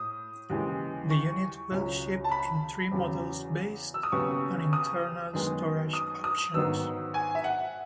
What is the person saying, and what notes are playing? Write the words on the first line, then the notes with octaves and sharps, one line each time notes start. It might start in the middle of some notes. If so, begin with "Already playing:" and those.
The unit will ship in three models based on internal storage options.
Already playing: A2 D#6
D#2 C#3 E3 G#3
C#6
C#2 C#3 F#3 C#4
A5
B5
E2 C#3 F#3
E6
D#6
D#2 C#3 F#3 B3 C#6
D#6
F#2 D#3 G#3 B3
D#6
D#6
G#2 D#3 F#3 B3 E6
G#5
E5
F#5